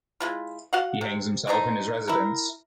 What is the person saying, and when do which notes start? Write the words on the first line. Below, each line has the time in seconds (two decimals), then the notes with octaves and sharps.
He hangs himself in his residence.
0.20 G#3 E4 F4
0.73 F#4 F5 F#5
1.01 C3
1.47 E3 C4 D4 D#4
2.08 E4 A#4